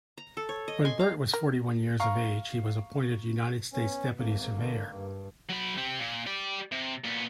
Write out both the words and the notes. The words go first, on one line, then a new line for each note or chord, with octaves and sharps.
When Burt was forty-one years of age he was appointed United States deputy surveyor.
A#5
A4
C#5
D#5
G#5 C6
F5 A#5
A#4
F5 A#5 C#6
B3 C#4
G#1 A#3
D3 D#3
G2
F#3 B5
C4 G4
A#2
G4 D5
C3
A#2 B3